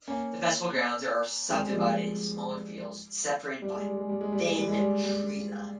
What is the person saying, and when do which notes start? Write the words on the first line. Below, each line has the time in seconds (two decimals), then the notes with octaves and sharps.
The festival grounds are subdivided into smaller fields separated by a thin treeline.
0.07 A#3 C#4
1.50 G#3 C4
1.67 G3
1.73 F3 G#3
3.62 G3
3.75 G#3
3.86 G3
3.97 G#3
4.09 G3
4.21 G#3
4.32 G3
4.45 G#3
4.56 G3
4.68 G#3
4.80 G3
5.04 G3